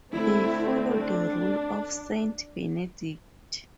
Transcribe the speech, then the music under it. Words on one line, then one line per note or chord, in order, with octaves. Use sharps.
They follow the Rule of Saint Benedict.
D3 A3 C4 E4
D4